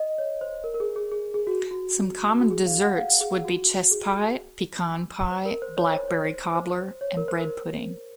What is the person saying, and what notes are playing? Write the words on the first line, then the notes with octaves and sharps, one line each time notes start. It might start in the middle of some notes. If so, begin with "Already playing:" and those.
Some common desserts would be chess pie, pecan pie, blackberry cobbler and bread pudding.
Already playing: D#5
C#5
C5
A#4
A#4
G#4
G#4
G#4
G#4
F#4
F#4
F#4
G#4
F5
F#5
F5
G#4
F#4
G#4
C5
A#4
C5
C#5
C5
C#5
C5
C5
C5
C#5
A#4
C5
A#4